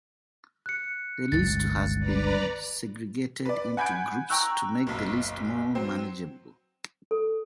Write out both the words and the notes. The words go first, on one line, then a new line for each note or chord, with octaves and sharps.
The list has been segregated into groups to make the list more manageable.
F#6 C#7
G1 C#2 D#3 A6
B4 D5 A#5
B4 D5
F#5 G#5 B5 G6 G#6 D7
G5 A#5 C#6 E6 F#6
F#1 B1
F#3 C4
A4